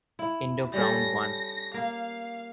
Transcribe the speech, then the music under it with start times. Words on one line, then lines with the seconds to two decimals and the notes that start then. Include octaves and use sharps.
End of round one.
0.19 E4
0.73 G3 C#4 A4 A#6
1.74 A#3 F5